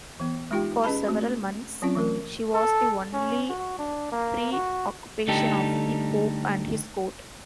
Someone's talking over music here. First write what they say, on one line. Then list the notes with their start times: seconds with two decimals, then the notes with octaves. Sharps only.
For several months, she was the only preoccupation of the Pope and his court.
0.20 E3 B3
0.51 G#3 D#4 F4 G4 G5
0.84 C#4 G#4 B4 D#5 A5 B5
1.07 A3 C4 F#4
1.82 F#3 C4 C#4 F4
1.95 E3 A3 A#4
2.54 A4
3.13 C#4
3.49 F#4
3.79 D4
4.12 A#3
4.52 F#4
5.28 D3 G3 A3 D#4 G4 A4